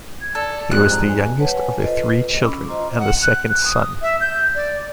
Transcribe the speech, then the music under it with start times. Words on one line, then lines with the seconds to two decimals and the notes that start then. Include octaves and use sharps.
He was the youngest of their three children, and the second son.
0.21 G#6
0.35 A4 D5
0.71 F2 G#2 G3 G#4 F#6
0.91 A#5
1.08 G#5
1.39 B4 C#5 F#5 G#5 A5
1.80 F4 A4 B4 C5 D#5
2.42 C#4 B5 D6 E6
2.68 F4 C5 D#5 A#5 C6
2.99 F#5
3.22 F#6
3.65 D#6
4.02 E5
4.21 G6
4.55 D5